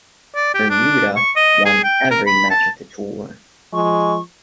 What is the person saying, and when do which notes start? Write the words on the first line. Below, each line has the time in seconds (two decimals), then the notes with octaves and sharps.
Bermuda won every match of the tour.
0.35 D5
0.54 G4
0.70 D4
1.16 C#6
1.36 D#5
1.65 G#4
1.84 G5
2.11 A#4
2.26 B5
2.50 A5
3.73 F3 G#3 C#6